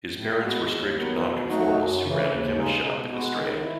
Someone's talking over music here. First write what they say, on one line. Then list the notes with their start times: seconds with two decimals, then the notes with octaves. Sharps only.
His parents were strict non-conformists who ran a chemist's shop in the Strand.
0.15 A2
0.41 G#3 B3 F#4
0.68 D#2
0.95 D#3 F#3 B3
1.22 B2
1.48 F#3 A3 D#4 F#4
1.76 F#2
2.03 C#3 E3
2.30 D#2
2.56 C#3 G#3 D#4
2.83 B2
3.10 G#3 B3 F#4
3.37 D#3
3.63 E4